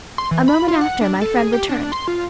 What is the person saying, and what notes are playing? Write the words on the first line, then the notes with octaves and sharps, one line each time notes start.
A moment after my friend returned.
C6
E3
B5
F4
F#5
D4
A4
G#4
G4
D4
C6
F4